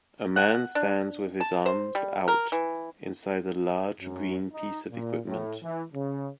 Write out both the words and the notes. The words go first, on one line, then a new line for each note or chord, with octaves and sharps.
A man stands with his arms out inside a large green piece of equipment.
F#5
D4
A5
C5
G3
A#4
E3
F#2
D#4
A#2
A2
E3
C#3